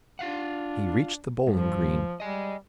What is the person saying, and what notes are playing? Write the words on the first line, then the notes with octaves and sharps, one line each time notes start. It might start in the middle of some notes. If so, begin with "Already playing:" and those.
He reached the bowling-green.
D4 F4 F5 F#5
G2 F3
G3 D#5 G#5